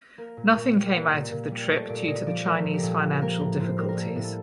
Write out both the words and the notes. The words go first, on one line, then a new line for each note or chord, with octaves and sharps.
Nothing came out of the trip due to the Chinese financial difficulties.
A#3 A#4
A#2
A#2
G3
A#3
A#2
A#2
G3
A3
A#2 D5
A#2 D#5
F3 D5
A3 A#4
A#2
G4
A#2 A4
F3
A#3 A#4
A2
A2 C5
G3 A#4
A#4
A#3 A4
A2
A4